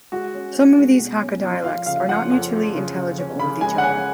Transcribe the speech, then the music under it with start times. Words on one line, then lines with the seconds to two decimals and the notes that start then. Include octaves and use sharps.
Some of these Hakka dialects are not mutually intelligible with each other.
0.12 G#3 F#4
0.34 C#4
0.56 C#4
0.78 G#3
0.99 B2
1.21 C#4
1.44 F3
1.64 F3 F5
1.86 C#3 F5
2.09 F3 F#5
2.31 F2
2.53 F3
2.75 C#3
2.96 C#3
3.18 C#4
3.40 C#3 B5
3.61 G#3 G#5
3.78 F#5
3.83 C#4 G#5